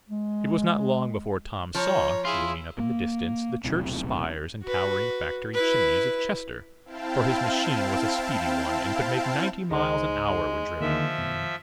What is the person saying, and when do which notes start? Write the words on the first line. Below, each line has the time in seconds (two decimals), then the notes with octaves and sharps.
It was not long before Tom saw, looming up in the distance the church spires and towering factory chimneys of Chester, for his machine was a speedy one, and could make ninety miles an hour when driven.
0.09 G#3
1.75 F3 C#5 A#5
2.25 E4 F4 G#4
2.79 A#3
3.63 D#1 B1 A2 C3
4.63 F#4 B4
5.54 E4 B4
6.85 C4 E4 F5 G5 A5
9.71 C#2 G#3 D#4 C5
10.81 D3 D#3 F3 A#3 E5
11.18 F1 F#2 B2 D#3